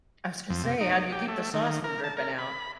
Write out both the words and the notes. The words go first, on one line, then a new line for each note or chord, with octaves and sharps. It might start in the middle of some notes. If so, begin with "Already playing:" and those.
I was gonna say, how do you keep the sauce from dripping out?
F2
C3
D#4
G4
A3
D#3
A#4
A5
A#4
B5